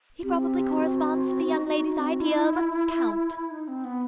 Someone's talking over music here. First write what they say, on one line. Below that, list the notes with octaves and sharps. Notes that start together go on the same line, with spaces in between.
He probably corresponds to the young lady's idea of a count.
C4 G4
G4
G4
F#4
C4
D#4
D#4
D#4
C4
D#4 E4
D#4
C4
B3